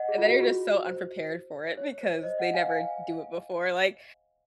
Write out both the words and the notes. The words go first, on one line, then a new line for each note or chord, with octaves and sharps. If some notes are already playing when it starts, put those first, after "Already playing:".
And then you're just so unprepared for it because they never do it before, like,
Already playing: D#5 F#5
G#4
F4
F#4
F4
F#4
C5
C#5
C5
C5 D#5
D#5 F#5
F5 G#5
F5 G#5